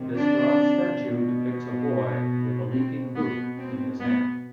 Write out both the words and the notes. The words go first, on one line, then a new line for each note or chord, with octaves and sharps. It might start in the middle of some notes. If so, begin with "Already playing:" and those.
This bronze statue depicts a boy with a leaking boot in his hand.
Already playing: C3 D#3
D4
B2
B2 C4
B3
C4
B3